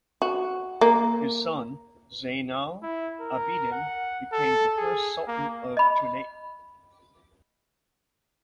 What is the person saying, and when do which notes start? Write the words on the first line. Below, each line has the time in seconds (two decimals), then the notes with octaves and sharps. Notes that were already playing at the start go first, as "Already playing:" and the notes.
His son Zainal Abidin became the first Sultan of Ternate.
0.22 F#4
0.81 A#3
2.83 E4
3.21 A#4
3.72 F#5
4.33 A4
4.77 G#4
5.27 A#3
5.77 D#5 B5